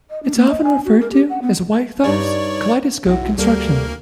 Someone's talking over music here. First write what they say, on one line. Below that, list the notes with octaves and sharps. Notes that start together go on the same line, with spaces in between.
It is often referred to as Wythoff's kaleidoscopic construction.
D#5
D4
A#3
D#5
G#5
F#4
A#4
G4
F#5
B3
G2 G3 D#4 C#5 D5 C#6
B1 E4 F#4
D2 G3 A#3 A4 A#4